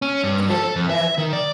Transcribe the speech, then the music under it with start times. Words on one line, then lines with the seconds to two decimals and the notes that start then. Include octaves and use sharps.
And then we have,
0.02 C#4
0.24 G2
0.50 A4
0.63 A4
0.76 F2
0.90 E5
1.18 D#3
1.33 D5